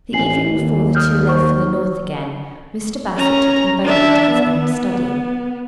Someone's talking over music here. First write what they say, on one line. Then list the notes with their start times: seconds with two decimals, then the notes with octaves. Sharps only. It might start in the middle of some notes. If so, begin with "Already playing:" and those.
The evening before the two left for the north again, Mr. Bassett took them both into his own study.
0.13 A1 G#5 C7 F#7
0.52 D#2
0.95 D#6 F6 G6
1.29 C5 C#6
3.17 C#4 A#5
3.84 D4 E5
4.30 B3